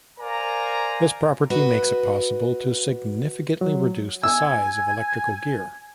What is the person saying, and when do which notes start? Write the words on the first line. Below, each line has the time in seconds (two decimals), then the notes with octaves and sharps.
This property makes it possible to significantly reduce the size of electrical gear.
0.20 A#4 C5 D5 F5 G#5 A#5
1.50 F#4 B4 D#5
3.61 F#3
4.23 G#5 E6